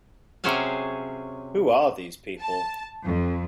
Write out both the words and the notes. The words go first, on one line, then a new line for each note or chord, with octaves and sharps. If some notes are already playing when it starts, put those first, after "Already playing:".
Who are these people?
C3 F#3 C#4 G#4 C5 F5
A5
F2